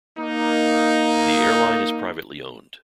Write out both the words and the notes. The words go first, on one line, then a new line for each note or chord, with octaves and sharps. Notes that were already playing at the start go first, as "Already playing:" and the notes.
The airline is privately owned.
A#3 D#4